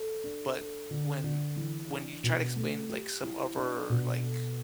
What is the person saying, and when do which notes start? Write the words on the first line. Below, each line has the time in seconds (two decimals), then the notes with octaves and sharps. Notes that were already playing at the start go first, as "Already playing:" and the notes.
But when when you try to explain like some other, like,
Already playing: A4
0.24 D4
0.58 A4
0.91 D3
1.24 D3
1.56 E3
1.90 D4
2.24 B2
2.56 A3
2.89 G4
3.23 E4
3.56 D4
3.90 B2
4.23 A4